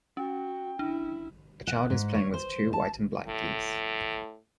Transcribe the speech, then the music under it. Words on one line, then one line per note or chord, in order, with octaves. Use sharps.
A child is playing with two white and black geese.
C#4 F#4 G5
D4 E4
F#5
G#2
C#5
C5
A5
A2